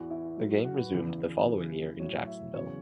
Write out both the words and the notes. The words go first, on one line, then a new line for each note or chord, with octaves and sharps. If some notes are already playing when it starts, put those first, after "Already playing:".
The game resumed the following year in Jacksonville.
Already playing: E2 E3 F#4
E4
F#2 F#3 E4
F#4
F#4
B4
E2 C#3 E3
F#2 C#3 E3
A2 F#3 C#5
E5
E2 C#3 F#3 C#5